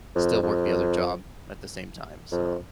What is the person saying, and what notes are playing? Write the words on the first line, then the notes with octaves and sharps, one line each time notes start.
still work the other job at the same time. So
F2
F2
F2